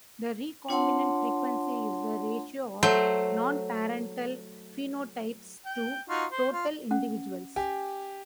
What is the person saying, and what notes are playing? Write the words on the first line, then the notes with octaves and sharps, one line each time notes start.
The recombinant frequency is the ratio of non-parental phenotypes to total individuals.
D4 F4 C#5 F#5 A5 C6
F#3 A3 C5
G5
D#4 F4 F#4
C5
F4
C#4 F#5
G4 G#5